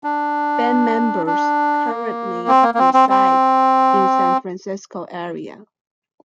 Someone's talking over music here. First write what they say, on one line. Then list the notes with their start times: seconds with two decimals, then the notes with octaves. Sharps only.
Band members currently reside in San Francisco area.
0.04 D4
1.26 D4
1.87 A#3
2.48 C4
2.63 A#3
2.74 A#3
2.79 C4
2.94 C4
3.09 C4